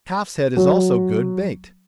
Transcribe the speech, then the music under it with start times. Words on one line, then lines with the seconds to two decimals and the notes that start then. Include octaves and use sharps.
Calf's head is also good, baked.
0.57 F#3